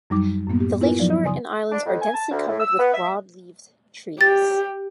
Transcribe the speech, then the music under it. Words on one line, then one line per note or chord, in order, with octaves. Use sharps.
The lakeshore and islands are densely covered with broadleaved trees.
F#2 F#3 G3 D#4 D6
F#2 A2 A#3 B3
G4
B3 E4 F4 A#4 B4 G#5
F3 F#3 D#4 D5
C#3 D5 G#5 C6 D#6
D4
F2
G#5
A5
D2
A2
E6
B3
E5
G4 A6